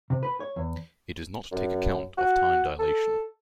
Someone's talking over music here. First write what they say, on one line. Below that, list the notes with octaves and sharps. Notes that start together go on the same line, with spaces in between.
It does not take account of time dilation.
C3
B4
C#5
E2
F#2
F#4
A4